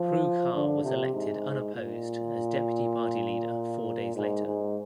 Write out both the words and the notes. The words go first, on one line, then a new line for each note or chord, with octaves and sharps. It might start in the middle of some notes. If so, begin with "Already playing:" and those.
Prue Car was elected unopposed as deputy party leader four days later.
Already playing: F3
D3
C3
G#2
A#2
G#2
G#2